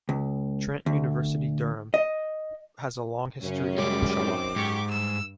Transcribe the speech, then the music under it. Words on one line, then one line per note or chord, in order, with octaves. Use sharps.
Trent University Durham has a long history in Oshawa.
C#2
D2
D#5
F#2 C#3 C#4
G3 G#3 D6
D#3 C4
G#2 G4 C#6
G2 E6